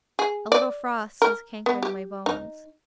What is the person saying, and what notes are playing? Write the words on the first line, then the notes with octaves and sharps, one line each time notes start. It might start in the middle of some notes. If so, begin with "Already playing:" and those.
A little frost has cankered my bones.
G#4
D5
A#4
B3
G4
D#4